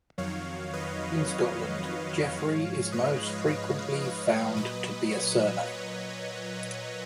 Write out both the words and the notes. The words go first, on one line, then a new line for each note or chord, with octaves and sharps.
In Scotland, Jeffrey is most frequently found to be a surname.
F2 D#3 F#3 C#5 F5
B4 D#5
C#5
B4 D#5
G#2 F3 G#3 C#5 F5
B4 D#5
B4 D#5
B4 D#5
A#2 F#3 B4 D#5
C#5
B4